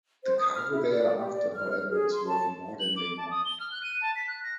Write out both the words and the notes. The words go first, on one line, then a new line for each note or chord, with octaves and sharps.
The cargo they are after, however, is worth more than they know.
C5
D#6
F6
E4
D5
G4
D5
F6
G#4
C6
A5
F#7
D6
A5
D#6
G7
F6
F#6
D#7
A5
B6
F#6
A#6